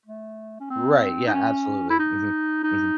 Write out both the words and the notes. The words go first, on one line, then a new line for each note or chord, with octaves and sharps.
Right, yeah, absolutely, mhm. Mhm.
A3
C#4
C4
D#4
C#4
E4
D#4
D#4